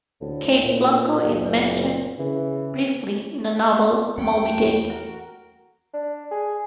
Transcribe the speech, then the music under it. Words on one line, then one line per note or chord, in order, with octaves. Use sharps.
Cape Blanco is mentioned briefly in the novel "Moby Dick".
D2 A2
A#2
F#1 A#2
C#3 E3
E2 G3 A#3 C#4 F#5 G5
F#4 A#4
D4
G#4